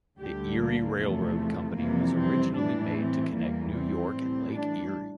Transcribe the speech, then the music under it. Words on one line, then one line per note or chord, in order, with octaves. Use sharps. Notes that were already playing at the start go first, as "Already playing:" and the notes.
The Erie Railroad Company was originally made to connect New York and Lake Erie.
D2 D3 G3 G4
A#3
E2 C3 F3 A3
F2 C3 E3 G3 A#3
C4
A2 E3 G3 D4
C4
E2 E3 G3 A#3
C4
A2 E3 G3
D4